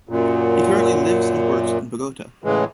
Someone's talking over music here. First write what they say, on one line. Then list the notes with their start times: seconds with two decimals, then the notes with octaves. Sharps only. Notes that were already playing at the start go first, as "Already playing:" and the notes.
He currently lives and works in Bogota.
0.09 F#2 A#2
2.44 A2 C#3 E3 G#3